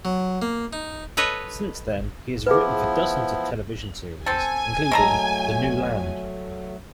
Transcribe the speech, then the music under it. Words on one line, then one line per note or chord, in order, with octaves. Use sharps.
Since then, he has written for dozens of television series, including "The New Land".
F#3
A#3
D#4
A4 B4 C#5 D#5
F3 B3 E4 G#4 B4
C4 A4 G#5
F#3 G#3 A3 A4 A#5